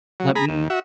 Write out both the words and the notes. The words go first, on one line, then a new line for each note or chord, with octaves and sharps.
Let me"
F#3
G#4 A#5 B5
D#2
F#4 E5